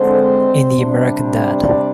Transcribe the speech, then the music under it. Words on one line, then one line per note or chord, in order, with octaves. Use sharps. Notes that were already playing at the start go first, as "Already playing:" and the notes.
In the American Dad!
Already playing: D3 G#3 C4 D4 C5
C3 G3 D4
D4 D5